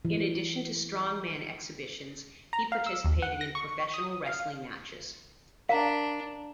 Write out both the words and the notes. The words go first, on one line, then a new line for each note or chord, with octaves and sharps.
In addition to strongman exhibitions, he participated in professional wrestling matches.
E3
A#5
F5
E6
D#2
F#5
A#6
C#6
D#6
F5
D4 A#4 F5 A#5